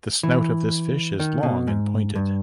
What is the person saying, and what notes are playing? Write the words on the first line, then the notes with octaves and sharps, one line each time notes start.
The snout of this fish is long and pointed.
E3
D#3
B2
G#2
G2